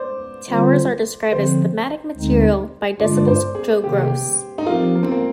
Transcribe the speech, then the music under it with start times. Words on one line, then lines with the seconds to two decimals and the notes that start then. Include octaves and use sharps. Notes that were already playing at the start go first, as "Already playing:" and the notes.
Towers are described as 'thematic' material by "Decibel"'s Joe Gross.
Already playing: C5 D5
0.49 D3 G3 C4 F4 C5
1.32 D3 F3 C4 C5
2.15 D2 D3 G#3 C4 D#4
3.00 G2 D3 G#3 D4 F4 D5
3.16 D5
3.28 C5
3.55 G#4
3.83 C3 D#3 A#3 G4
3.92 G#4
4.01 G4
4.58 D#4
4.66 F3 C4 F4 G4 A#4
4.95 A#3
5.03 C4
5.12 A#3